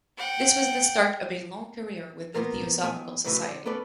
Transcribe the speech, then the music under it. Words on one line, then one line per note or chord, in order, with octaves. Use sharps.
This was the start of a long career with the Theosophical Society.
F#5 G5
A#3 B3 F4 A#4
D#2 B3 E4 G5 G#5
A2 C#3 E3 F#3 E4 B4
D3
B3 C#4 A4 B4 D5